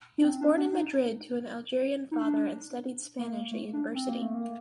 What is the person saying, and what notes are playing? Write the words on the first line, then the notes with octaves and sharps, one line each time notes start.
He was born in Madrid to an Algerian father and studied Spanish at university.
D4
C4
D4
D4
D#4
D#4
D4
A#3
A3
D4
C4
A#3
A3
A#3